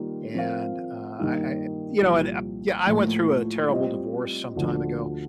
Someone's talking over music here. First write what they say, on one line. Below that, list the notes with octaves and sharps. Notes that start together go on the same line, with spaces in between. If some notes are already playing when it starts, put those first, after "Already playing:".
and, uh, I I e you know, and uh yeah I went through a terrible divorce some time ago
Already playing: D#3 G3 A#3 F4
F3 C4 F4 A#4 F5
G2 D#3 A#3 D#4 G4
C2 A#2 F3
A2 F3 A#3 F4
G3 C4 F4 C5 D#5
D2 D3 F3